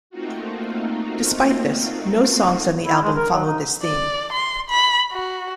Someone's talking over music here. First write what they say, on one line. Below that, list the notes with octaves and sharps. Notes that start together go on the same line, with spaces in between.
Despite this, no songs on the album follow this theme.
A3 A#3 C4 D#4 F4 F#4
E4
G#3
A#4
F#3
D#4
D5
C6
B5
F#4